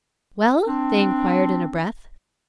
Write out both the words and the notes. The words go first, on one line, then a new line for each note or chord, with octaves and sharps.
"Well?" they inquired in a breath.
C4 D4